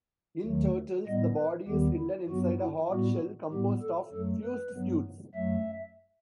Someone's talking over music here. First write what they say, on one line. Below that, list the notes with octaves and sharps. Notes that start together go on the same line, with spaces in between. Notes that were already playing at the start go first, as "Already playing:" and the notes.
In turtles, the body is hidden inside a hard shell composed of fused scutes.
D#2 D#3 F#3 A3
A2 G3 B3 D#5
B4
D#2 D#3 G3 B3 G4
E4
G2 F#3 B3 F#4
E4
A2 G3 B3 F#4
A2 G3 B3 G4
A4
F#2 F#3 A3 A4
B4
G2 F#3 B3
F#2 F#3 A3 E5